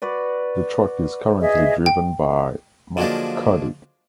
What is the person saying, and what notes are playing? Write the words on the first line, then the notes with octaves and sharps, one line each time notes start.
The truck is currently driven by Matt Cody.
F#4 B4 D5
G#4 D#5 E5
G5
D3 F3 F#3 G#3 A#3 D4